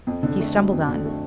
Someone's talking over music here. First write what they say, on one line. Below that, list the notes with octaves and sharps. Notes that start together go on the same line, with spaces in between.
He stumbled on.
F2
D3
A3
F#3
F2
D3
A3